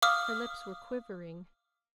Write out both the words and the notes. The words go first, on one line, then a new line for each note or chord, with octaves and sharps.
Her lips were quivering.
F5 D6 D#6 F6